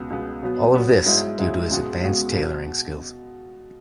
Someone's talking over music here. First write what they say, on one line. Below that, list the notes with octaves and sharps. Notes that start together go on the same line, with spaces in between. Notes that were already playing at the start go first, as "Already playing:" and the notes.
All of this, due to his advanced tailoring skills.
Already playing: C#2 B2 B3
C#2 B2 B3
B2 F#3 B3
B2 F#3 B3
G#2 F#3 E4 G#4
G#2 F#3 E4 G#4
C#2 B2 G#3 B3 F#4
C#2 B2 G#3 B3 F#4
B2